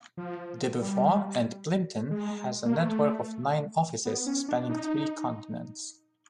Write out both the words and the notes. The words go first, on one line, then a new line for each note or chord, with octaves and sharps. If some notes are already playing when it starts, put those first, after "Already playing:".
Debevoise and Plimpton has a network of nine offices spanning three continents.
F3
G3
G#3
A#3
A3
B3
C#4
D4
D#4